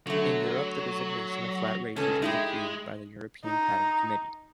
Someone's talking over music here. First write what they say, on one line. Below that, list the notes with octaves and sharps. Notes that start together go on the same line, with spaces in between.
In Europe the designation of flat races is agreed by the European Pattern Committee.
D3 F#3 A3
C#2 C#4 A4
G#3 D#4 E4 G4
D#4